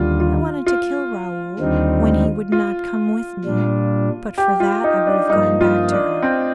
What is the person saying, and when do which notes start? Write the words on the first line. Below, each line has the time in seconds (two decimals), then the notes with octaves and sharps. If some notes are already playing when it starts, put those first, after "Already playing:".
I wanted to kill Raoul when he would not come with me, but for that I would have gone back to her....
Already playing: D#2 D3 G3 F4
0.20 F4
0.66 F4
1.59 D#2 D3 G3 C4 D#4
2.52 F4
3.44 A#2 G3 D4
4.38 G4
4.60 F4
4.84 D#4
5.07 D4
5.29 G2 F3 A#3 D#4
5.61 F4
5.92 D4
6.23 C4